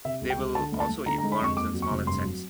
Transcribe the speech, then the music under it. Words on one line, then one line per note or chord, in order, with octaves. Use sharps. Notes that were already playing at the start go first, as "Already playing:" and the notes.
They will also eat worms and small insects.
C3 E5
C#2
G5
C#2
D3 A5
D2
A5
D2
D3 A#5
A#5
G#3
B5
F2 C#6
D#2 D6
F#3
C#6
F1
G2 C6
F#3